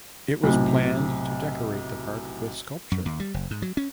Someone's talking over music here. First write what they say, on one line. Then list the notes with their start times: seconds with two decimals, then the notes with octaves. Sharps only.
It was planned to decorate the park with sculpture.
0.44 B1 A2 C3
2.92 F#2
3.06 D#2
3.20 G3
3.34 F#1
3.51 G#2
3.62 F#3
3.77 C#4